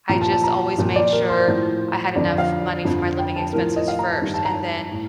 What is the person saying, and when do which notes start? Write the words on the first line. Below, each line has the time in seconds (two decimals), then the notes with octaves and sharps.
I just always made sure I had enough money for my living expenses first and then
0.09 A#2 F3 A#5
0.21 A5
0.32 A5
0.44 A#5
0.78 A#2 F3
0.96 D5
1.13 A#4
1.30 C5
1.47 A2 F3
2.15 F2 D3 F3 D5
2.38 F5
2.85 F2 D3 F3
3.18 G5
3.36 A5
3.53 A2 F3 A#4
3.76 D#5
3.88 F5
3.99 A#5
4.11 A5
4.22 G2 D#3
4.34 A5
4.45 A#5
4.91 A2